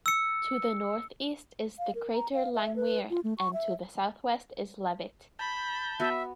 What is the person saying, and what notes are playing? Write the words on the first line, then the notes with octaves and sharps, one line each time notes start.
To the northeast is the crater Langmuir and to the southwest is Leavitt.
E6 C#7
F5
A#4
A#5
F5
E5
B4
F4
A3
C#6
E5
A5 B5 G6
B3 F#4 E5